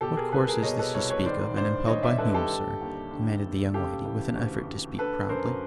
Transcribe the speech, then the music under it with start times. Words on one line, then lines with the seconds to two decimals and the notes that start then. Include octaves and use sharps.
'What course is this you speak of, and impelled by whom, sir?' demanded the young lady, with an effort to speak proudly.
0.01 B2 G4 A4
0.17 G#4 A#4
0.32 C2 A4 B4
0.48 G#4 A#4
0.63 B2 C#5 D#5
0.79 A4 B4
0.94 C2 B4 C#5
1.10 B4 C#5
1.25 D#3 C5 D5
1.56 G2 C5 D5
1.87 D#3 C#5 D#5
2.03 D5 E5
2.18 G2 A4 B4
2.34 G4 A4
2.50 D3
2.81 D#2
3.11 D3
3.43 D#2
3.74 C#3 G4 A4
4.05 E3
4.36 D2
4.67 D2
4.98 D3 A4 B4
5.29 F#2 A#4 C5